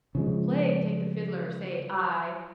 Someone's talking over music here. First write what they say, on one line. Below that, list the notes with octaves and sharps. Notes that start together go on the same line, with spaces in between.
Plague take the Fiddler! say I.
C#3 F3 G#3